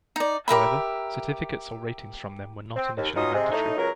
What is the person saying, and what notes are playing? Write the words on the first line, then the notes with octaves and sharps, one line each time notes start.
However, certificates or ratings from them were not initially mandatory.
D#4 D5
G4 A#4 E5 B5
C4
D#2
B2 F#3 C#4 D#4 F4 D#6
C3 G#3
A2 D#4
C#2 F#3 A#4